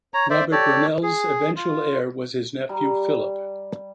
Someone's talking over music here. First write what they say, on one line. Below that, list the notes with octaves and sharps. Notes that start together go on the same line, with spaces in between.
Robert Burnell's eventual heir was his nephew, Philip.
C#5 A#5
C5 D5 E5
G4 A4 C#5 D5
G#4
F4
G3 A#5